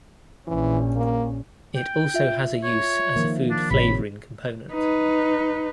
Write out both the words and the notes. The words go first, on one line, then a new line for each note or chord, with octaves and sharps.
It also has a use as a food flavoring component.
A#1 E3 C#4
A#3
G5
F4 E5
C#5
D#3 F3 A#3
D4
G#1 A2 C3 C#5 B5
D#4 B4